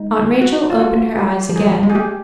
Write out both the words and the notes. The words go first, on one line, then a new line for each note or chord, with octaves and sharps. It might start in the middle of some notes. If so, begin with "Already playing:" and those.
Aunt Rachel opened her eyes again.
Already playing: G#3 D#4
F#4
F4
F#4
G4
F3
F#3 G#4
G3
G#3
G#4
A3 G4